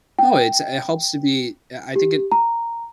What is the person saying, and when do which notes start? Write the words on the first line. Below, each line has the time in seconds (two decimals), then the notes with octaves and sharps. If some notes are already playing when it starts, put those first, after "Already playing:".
Oh, it's it helps to be I I think it
0.19 G5
1.96 G4
2.32 A#5